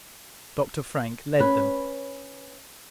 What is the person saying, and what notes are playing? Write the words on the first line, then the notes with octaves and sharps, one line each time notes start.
Dr. Frank led them.
C#4 B4